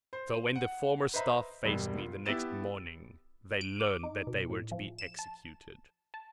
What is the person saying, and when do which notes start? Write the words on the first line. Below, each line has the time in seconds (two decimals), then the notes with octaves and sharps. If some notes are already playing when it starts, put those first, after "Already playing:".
So, when the former staff faced me the next morning, they learned that they were to be executed.
0.13 C5
0.55 F#5
1.14 B4 C5 D#5 E5 A#5 B5
1.64 E1 G2 G3
1.98 F4
2.25 B3 E4 G4 E6 A6 E7
3.61 D7
3.80 D6
4.03 D#4
4.27 B2
4.50 A2
4.71 F3
4.98 E7
5.19 A5
6.14 A5